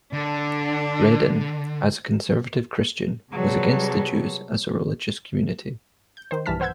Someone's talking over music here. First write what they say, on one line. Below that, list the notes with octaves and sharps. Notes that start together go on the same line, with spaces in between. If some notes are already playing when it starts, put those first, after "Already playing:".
Rhedin, as a conservative Christian, was against the Jews as a religious community.
D3 D4
C3 F#3 G3 G#4 A4 B4
G6
D#3 C5
B1 G2 E3 A5 F6 B6
B4 C5 F#5 E6 G6 G#6